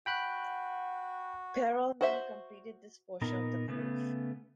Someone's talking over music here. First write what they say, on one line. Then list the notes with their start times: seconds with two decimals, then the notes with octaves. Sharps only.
Perelman completed this portion of the proof.
0.06 F#4 G5 B5 F#6
2.01 F#4 C5 E5
3.21 A#2 B3 D#4 A#4
3.68 C#3 A3 B3